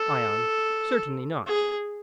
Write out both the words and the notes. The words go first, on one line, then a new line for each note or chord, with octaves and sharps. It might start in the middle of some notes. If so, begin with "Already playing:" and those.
ION: Certainly not.
Already playing: A4
G#4